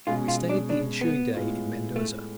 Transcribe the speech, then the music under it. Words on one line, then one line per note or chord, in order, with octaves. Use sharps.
We stayed the ensuing day in Mendoza.
B2 G#3 C#4 F4 G#4
F4
D4
D4
B3
A2 G#3 B3 F4
A3